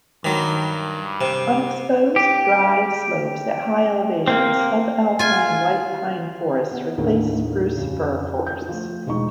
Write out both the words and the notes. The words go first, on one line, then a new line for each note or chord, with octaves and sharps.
On exposed, dry slopes at high elevations, subalpine white pine forests replace spruce-fir forests.
G2 D#3 F#3
C3
G4
A#3 C4
F4 G#5
B3
D#2 A2 D3 G#4 A#4
F2 C#3
G6
F3 A3
E1 F3 G#3 D#4 C#6